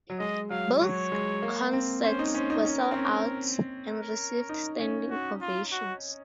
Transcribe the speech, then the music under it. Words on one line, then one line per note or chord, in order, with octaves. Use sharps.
Both concerts were sell-outs and received standing ovations.
F#3
G#3 D#5
F#3 F5
F#3 C#5
G#3
A#3
C4
C#4 C5
D#4
C#4 C5
D#4
C#4 A#4
C4
C#4
A#4
D#4
C#4
F#4
F4
F#4